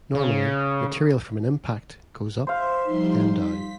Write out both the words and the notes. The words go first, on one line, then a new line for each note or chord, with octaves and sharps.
Normally, material from an impact goes up, then down.
C#3
C5 E5 F5
F3 G3 D#4 C6
B6